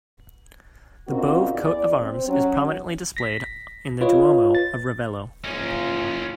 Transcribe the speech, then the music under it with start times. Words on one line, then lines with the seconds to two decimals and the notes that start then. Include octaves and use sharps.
The Bove coat of arms is prominently displayed in the Duomo of Ravello.
1.08 A#2 C#3 A#3 C4 D#4 F#4
1.54 E2 D5
1.96 C4
2.27 F#3 C#4
3.17 A#6 B6
4.01 F4 B4 C#5 D#5
4.55 A6
5.44 F#1 C#4 D#4 F4